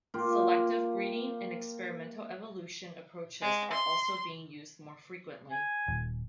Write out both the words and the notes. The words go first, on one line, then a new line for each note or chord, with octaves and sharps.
Selective breeding and experimental evolution approaches are also being used more frequently.
A#3 F4 G4
G#3
C6
G#5
D#1